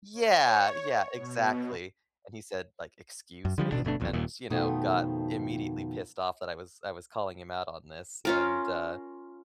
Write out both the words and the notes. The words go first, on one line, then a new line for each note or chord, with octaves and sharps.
Yeah, yeah, exactly. And he said, like, "Excuse me?" and, you know, got immediately pissed off that I was I was calling him out on this, and, uh,
C#5
B2
F#2
D3 F3 G3
A1 D2 B2 D4
G1 B2 A3 D4
D#1 B1 F2
D#1 D#2 A#2
F2 B2 D#3 F3 A3 D#4
C#4 F4 A#4